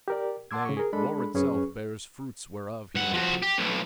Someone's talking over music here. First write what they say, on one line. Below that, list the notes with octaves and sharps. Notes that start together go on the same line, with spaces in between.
Nay, war itself bears fruits whereof he may pick.
G4 A#4 D5
F#5 A5 C6 D6 E6 G#6
C#3 C#6
G#4 A#4
G#3 D4 A4 B5
F#2 C#4 G#4 B4 C#6
G2 F#5
F3 F#4
G4
B1 A2